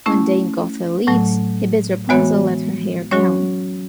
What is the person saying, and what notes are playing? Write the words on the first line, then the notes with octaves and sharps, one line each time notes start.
When Dame Gothel leaves, he bids Rapunzel let her hair down.
A3 C#4 E4
A2 F#3 A3
E3 G#3 B3 F#4 C#5
F#3 C#4 F#4 C#5